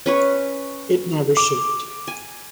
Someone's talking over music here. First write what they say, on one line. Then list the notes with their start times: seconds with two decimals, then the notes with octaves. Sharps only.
It never shipped.
0.06 C#4 B4 C#5
1.37 D6
2.08 G#5